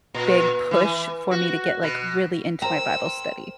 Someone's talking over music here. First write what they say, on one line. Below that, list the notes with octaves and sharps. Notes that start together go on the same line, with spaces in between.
big push for me to get, like, really into my Bible study,
A#2
E3
F#4
B2
A#4 C5 G5 A#5 E6